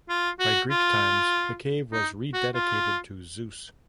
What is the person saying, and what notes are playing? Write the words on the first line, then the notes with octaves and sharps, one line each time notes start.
By Greek times the cave was rededicated to Zeus.
F4
F#4
F4
D#4
F#4
F4